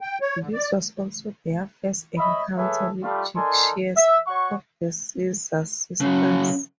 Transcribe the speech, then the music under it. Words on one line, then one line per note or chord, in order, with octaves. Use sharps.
This was also their first encounter with Jake Shears of the Scissor Sisters.
G5
C#5
D3
D5
C#5 D#5 E5 B5
G#4 A4 B4 C#5 E5
G3 A3 F4
D#4 A4 A#4 D5 G#5 C6
E5
F#4 C#5 F#5 C#6
C#3 F#3 C#4